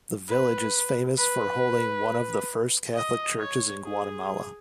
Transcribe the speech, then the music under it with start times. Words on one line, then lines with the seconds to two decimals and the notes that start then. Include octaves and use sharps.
The village is famous for holding one of the first Catholic churches in Guatemala.
0.28 B4
1.18 B4
2.95 D#5
3.39 C#5
3.83 G#4